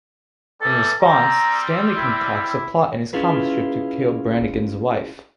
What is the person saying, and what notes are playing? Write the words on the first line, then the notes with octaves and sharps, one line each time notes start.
In response Stanley concocts a plot in his comic strip to kill Brannigan's wife.
E3 G3 A4
G3 C4 A#5
E4
E4
C#4 E4 F4 G#4 B4